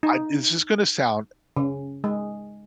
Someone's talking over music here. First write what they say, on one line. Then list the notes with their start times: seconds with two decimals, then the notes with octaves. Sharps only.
I this is gonna sound,
0.03 D#4
1.57 C#3
2.04 G#3